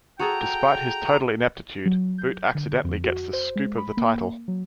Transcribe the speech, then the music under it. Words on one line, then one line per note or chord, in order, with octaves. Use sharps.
Despite his total ineptitude, Boot accidentally gets the "scoop" of the title.
F#4 G#4 A4 G5 A#5
F#3
G6
D3
F2
F#4
C5
G#3
B5
A#3
F#3